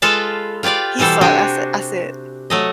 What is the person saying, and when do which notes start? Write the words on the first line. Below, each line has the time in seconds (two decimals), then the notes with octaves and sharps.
he saw it, I said I said
0.02 G#3 F4 A4 B4 F5 A5
0.63 F4 G4 B4 D5 F5
0.99 B2 E3 G3 A4 C5
1.21 C3 D4 F#4 G4 G5 G#5
2.50 F#3 A3 D#5